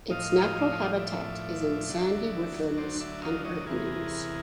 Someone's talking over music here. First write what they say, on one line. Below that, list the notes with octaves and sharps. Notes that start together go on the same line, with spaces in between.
Its natural habitat is in sandy woodlands and openings.
A2 F3 D#5 F5
D5 E5
D2 D3 F#3
C5 D5
D5 E5
D#5 F5
C#5 D#5
E2 C3 E3 G#4 A#4